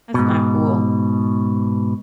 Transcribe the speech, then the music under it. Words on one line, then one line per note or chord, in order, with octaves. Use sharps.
That's not cool.
G#2 B2